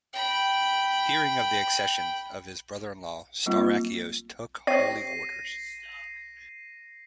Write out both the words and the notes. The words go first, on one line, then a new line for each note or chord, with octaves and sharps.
Hearing of the accession of his brother-in-law, Staurakios took Holy Orders.
G5 B5
F#3 G3 A#3 C4 D#4 F4
C4 G4 C#5 A#6 C7 D#7